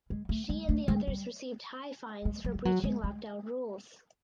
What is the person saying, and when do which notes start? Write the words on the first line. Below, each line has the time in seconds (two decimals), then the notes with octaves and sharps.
She and the others received high fines for breaching lockdown rules.
0.10 G#3
0.29 A3
0.49 G#3
0.69 A3
0.88 G#3
1.07 G3
2.25 G#3
2.45 G3
2.55 G3
2.65 F#3
2.84 G#3
3.04 G#3